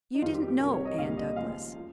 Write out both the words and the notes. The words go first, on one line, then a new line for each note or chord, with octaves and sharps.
You didn't know Anne Douglas?
D#4
F2 D#3 G3 F4
G4
G4
C2 C3 G3 A#4
C#5
D#5
C2 A#2 G3 F5
D#5
D#2 C#3 F3 G#3 F5
F3